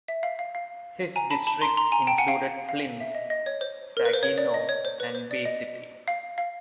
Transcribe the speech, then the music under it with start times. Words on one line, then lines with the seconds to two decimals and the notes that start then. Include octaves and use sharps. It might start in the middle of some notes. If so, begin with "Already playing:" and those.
His district included Flint, Saginaw and Bay City.
0.08 E5
0.23 F5
0.39 F5
0.55 F5
1.16 G#5 A#5
1.30 A5 B5
1.47 A5 B5
1.61 A#5 C6
1.77 A#5 C6
1.92 G#5 A#5
2.07 G5 A5
2.18 F#5 G#5
2.28 F5 G5
2.69 F5
3.00 E5
3.15 D#5
3.30 D#5
3.46 C#5
3.61 C5
3.97 A#4
4.05 B4
4.14 C5
4.23 C#5
4.38 D5
4.54 D#5
4.69 C#5
4.85 C5
5.00 B4
5.15 C5
5.31 D5
5.45 D#5
6.08 F5
6.38 F5